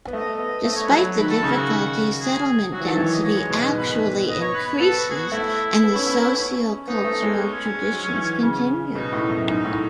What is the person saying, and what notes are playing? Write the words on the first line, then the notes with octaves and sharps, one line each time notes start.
Despite the difficulties, settlement density actually increases, and the socio-cultural traditions continued.
B3
A3 D#5
B3 D#5
A3 D#5
C#5
F#3 B4
C#5
D#3 B4
A4
C#3 D#4
E4
F#4
D#3
G#4
F#3 F#4
E3
D#3 A4
E3 C#5
D#5
C#5
G#3
B2
G#2
B2 B4
D#3
B3 D#5
C#5
B4
B4
B3 A4
F#4
G#4
F#4
A3 E4
B3
C#4
B3
B3
C#4
B3 D#4
A3
G#3
C#4
G#3
F#3
E3
C#3
B2 D#4
A2
F#2
G#2 D#4
A2